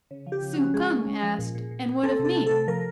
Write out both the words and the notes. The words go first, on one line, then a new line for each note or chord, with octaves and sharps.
Tzu-kung asked, And what of me?
C#3
F3
G4
C#3
C#4 F#4
G#3 G#4
C#4
G#3
F3
A#2
A#2
A#2
A#2
C4 A4
C3
A4
A3
C3 A4
F3 A#4